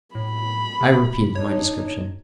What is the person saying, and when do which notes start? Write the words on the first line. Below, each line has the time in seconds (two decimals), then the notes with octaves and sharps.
I repeated my description.
0.15 A2 B5
0.81 C3
1.35 D4 D#4 C#5